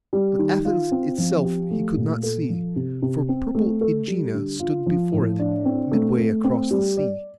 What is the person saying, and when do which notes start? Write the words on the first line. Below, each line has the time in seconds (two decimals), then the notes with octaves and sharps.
But Athens itself he could not see, for purple AEgina stood before it, midway across the sea.
0.13 G3
0.39 D#3
0.65 F4
0.91 C4
1.18 F3
1.44 G4
1.71 A3
1.96 A#2
2.23 A4
2.49 F3
2.76 C3
3.02 C3
3.29 C4
3.55 A3
3.81 A4
4.08 G3
4.34 D3
4.60 F4
4.86 F3
5.13 A2
5.39 D4
5.65 C4
5.92 A3
6.18 A3
6.44 C4
6.71 G3
6.97 D5